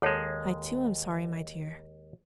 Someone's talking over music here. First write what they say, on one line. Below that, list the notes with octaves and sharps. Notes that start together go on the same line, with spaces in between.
'I too, am sorry, my dear.
D#2 G#3 A4 C#5 A5